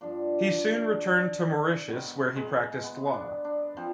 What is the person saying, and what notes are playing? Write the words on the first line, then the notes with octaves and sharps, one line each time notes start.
He soon returned to Mauritius where he practised law.
G2 F3 D4
G#2 D#3 B3
G#3
B3
D4
D4
F3 C4